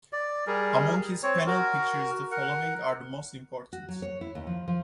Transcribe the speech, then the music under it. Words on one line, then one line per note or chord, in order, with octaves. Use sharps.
Among his panel pictures the following are the most important.
D5
G3 G#4 A#4
C4 C#5
F#4 A#4
A#4 F#5
F#4
F#3
C#5
E4
D#2
F3
F3